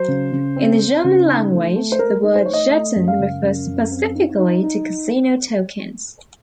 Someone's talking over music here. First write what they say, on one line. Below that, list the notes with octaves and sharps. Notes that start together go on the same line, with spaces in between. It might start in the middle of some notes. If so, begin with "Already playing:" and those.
In the German language, the word "Jeton" refers specifically to casino tokens.
Already playing: F#3 C5
C#3
C#3
C4
C4
C#3
D#4
A3
A3
C5
A3 A#4
D#4
C5
A3 C#5
D#5
A3 D#5
F#2
F5
C#3
F#2
F#2
C4
D#4
D#4
D#4